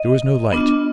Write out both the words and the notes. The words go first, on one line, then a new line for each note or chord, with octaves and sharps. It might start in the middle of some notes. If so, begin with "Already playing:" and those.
There was no light.
Already playing: D#5
B3 D4 F4